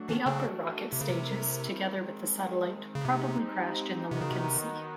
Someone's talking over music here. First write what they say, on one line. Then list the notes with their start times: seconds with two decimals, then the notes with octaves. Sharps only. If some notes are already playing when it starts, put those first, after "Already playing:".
The upper rocket stages, together with the satellite, probably crashed in the Lincoln Sea.
Already playing: F#3 A3 D4 F#4
0.09 E3
0.12 D#3
0.26 C#3
0.92 C3 A3 C4 E4 G4 A#4
1.01 C#3
1.09 C3
1.98 D#3 G#3 C4
2.95 C#3
3.05 C3 G#3 C4 D#4 G4
4.11 C3 D#3 F#3 B3 D#4 F#4
4.21 C#3
4.31 C3